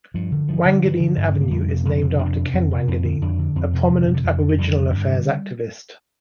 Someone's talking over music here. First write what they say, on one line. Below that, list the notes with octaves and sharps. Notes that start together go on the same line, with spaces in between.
Wanganeen Avenue is named after Ken Wanganeen a prominent Aboriginal Affairs activist.
G2 F3
D3
G2 F3
D3
G2
D3
G2
D3 C4
A#3
F2 G3
C3
A#3
F2
C3 C4
F2 D4
C3
F2 C4
C3
F2 C4
D3
F2 D4
D3
F2 C4
C3
F2
D3
C3
D3
F2 F3
D3
F3
F2 G3
D3
G2
D3